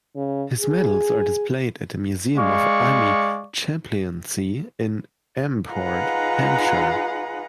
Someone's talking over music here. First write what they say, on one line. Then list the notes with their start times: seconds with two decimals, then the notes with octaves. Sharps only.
His medals are displayed at The Museum of Army Chaplaincy in Amport, Hampshire.
0.16 C#3
0.60 G#4
2.37 G#3 D5 F5 C#6
5.71 D#4 F4 G#4 B4 F#5 A#5